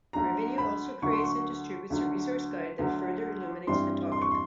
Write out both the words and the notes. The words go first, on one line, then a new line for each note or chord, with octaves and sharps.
Ravinia also creates and distributes a resource guide that further illuminates the topic.
D2 D3 F#3 A#5
B5
D2 D3 F#3 C#6
C6
C#6
D2 D3 F#3
D2 D3 F#3
G2 E3 G3 C4 C6
C6
C#6
C6